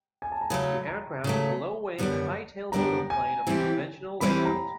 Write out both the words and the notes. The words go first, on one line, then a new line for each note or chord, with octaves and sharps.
The aircraft was a low-wing, high-tail monoplane of conventional layout.
G#5
A5
A#5
C#3 F#3 A3 B5
A#5
C#3 F#3 A3
F#2 D3 G3 B3 D4
F#2 D3 G3 B3 D4 A#5
G#5
E3 G3 C4 E4 G4
E3 G3 C4 E4 G4 B5
A#5